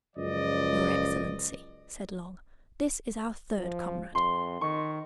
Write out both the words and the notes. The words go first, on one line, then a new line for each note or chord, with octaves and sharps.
'Your excellency,' said Long, 'this is our third comrade.
C#2 F#2 F3 D5 D#5
F3
F2 C6
D#3 C#6